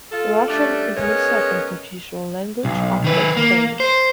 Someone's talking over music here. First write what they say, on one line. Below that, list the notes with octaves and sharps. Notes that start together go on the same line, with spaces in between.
Russian is the second official language after Spanish.
F4 A4
G3 A3 C#4 D4
G#3 B3 C#4 A#4 C#5
B1
D#3 B4
A#3
C5